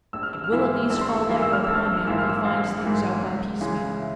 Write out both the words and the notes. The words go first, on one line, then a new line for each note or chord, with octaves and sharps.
It will at least fall lighter upon him if he find things out by piecemeal.
A#1 E6
F6
E6
F6
G#2 E3 A#3 E4 E6
A#1 E6
C6
C#6
E6
G#2 E3 A#3 E4
E6
F6
A#1 E6
F6
E6
F6
G#2 E3 A#3 E4 E6
F6
E6
A#1 F5
G#2 E3 A#3 E4
C#2
C#3 E3 G#3 C#4
E5